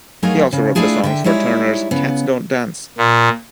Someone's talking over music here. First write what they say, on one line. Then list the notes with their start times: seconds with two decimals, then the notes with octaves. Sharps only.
He also wrote the songs for Turner's "Cats Don't Dance".
0.23 F#3 A3 D#4 F4 G#4 A#4
0.52 C#3
0.75 A3 D4 E4 F4 G#4 A4
1.04 D3 E5 G5
1.24 G3 G#3 D#4 E4 C#5
1.91 C#3 B3
2.98 A#2